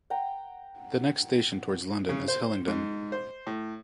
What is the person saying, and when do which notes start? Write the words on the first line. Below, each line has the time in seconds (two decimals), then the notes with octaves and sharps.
The next station towards London is Hillingdon.
0.10 F#5 G5 A#5
2.09 C#3
2.28 C5
2.68 G#2
3.12 C5
3.47 A2